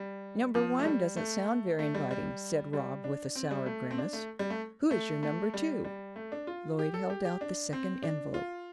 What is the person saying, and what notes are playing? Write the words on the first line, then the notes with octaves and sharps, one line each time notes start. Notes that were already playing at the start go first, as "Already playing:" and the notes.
"Number one doesn't sound very inviting," said Rob, with a sour grimace. "Who is your number two?" Lloyd held out the second envelope.
Already playing: G3
F3
A3
G3
A3
A3
G3
G3
G3
D4
C4
G3
A3
C4
D4
A3
G3
A3
A3
A3
G3
G3
A3
D4
F4
G4
A4
G4
G4
D4
C4
D4
F4